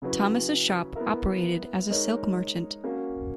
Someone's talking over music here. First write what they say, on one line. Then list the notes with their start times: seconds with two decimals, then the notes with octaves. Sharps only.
Thomas' shop operated as a silk merchant.
0.02 C#3 F#3 C#4 E4 B4
0.95 B3 E4 A#4 E5
1.90 G#3 D#4 A#4 C#5
2.84 A#3 C#4 F#4